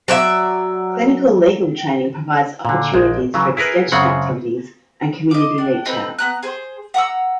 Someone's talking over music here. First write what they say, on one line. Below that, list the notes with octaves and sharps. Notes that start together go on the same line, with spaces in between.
Clinical legal training provides opportunities for extension activities and community reach out.
F#3 D5 E5
A#2 D3
A#1 G#3
C#3 E3 F#3
E4 G#4 A#4 B4
F#2 C#3 G#3 C4 F#5
D#5 D6
D4
C4 D#4 A4 B4
B3 A#5 F#6
G#4 C5
F#5 A#5 C#6 E6